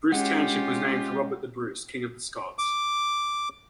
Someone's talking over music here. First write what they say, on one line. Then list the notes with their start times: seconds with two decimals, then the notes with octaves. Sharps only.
Bruce Township was named for Robert the Bruce, King of the Scots.
0.12 G#3 C#4 F4 G4 F#5
2.58 D6